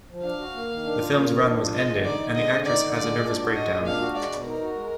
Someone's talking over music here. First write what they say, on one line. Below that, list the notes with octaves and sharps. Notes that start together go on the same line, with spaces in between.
The film's run was ended and the actress has a nervous breakdown.
F3
D4 F5
F#4
A#3
D#3
D4
F4
A#3
D#3
D4
F4
G#3 D#5
D3
D#4 D5
D3
G#3 D#5
D3
D#4 D5
D3
G#3 D5
A#2
D4
F#4
G#3 D#5
A#2
D4 F5
F#4
G#3 D5
B2
D#4 A#4
F#4
G#3